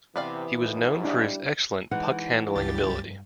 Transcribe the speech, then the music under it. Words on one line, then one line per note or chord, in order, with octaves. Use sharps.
He was known for his excellent puck-handling ability.
C3 E3 B3 D5 F5
D#2 G#2
G3 D4 E4
E3 G#3 D#4 F#5
C#2 G2 G4 A6